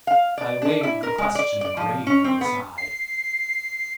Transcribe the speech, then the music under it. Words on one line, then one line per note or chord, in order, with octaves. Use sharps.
I waived the question gravely aside.
F5
D5
D4
E4
A#4
G#3
D5
D5
F3
C#4
C4
B3
C7